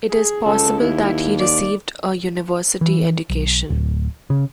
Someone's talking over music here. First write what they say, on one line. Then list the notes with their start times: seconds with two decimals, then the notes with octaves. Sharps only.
It is possible that he received a university education.
0.10 G#4
0.45 C#2 A4
0.80 D#2 E4
1.38 D5
2.81 E3
3.30 B1
3.70 D1
4.30 C#3